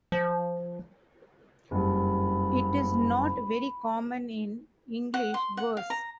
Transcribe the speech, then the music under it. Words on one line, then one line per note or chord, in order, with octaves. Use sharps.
It is not very common in English verse.
F3
F#1 G2 B5
F#5
C6
F#5
F5
A#5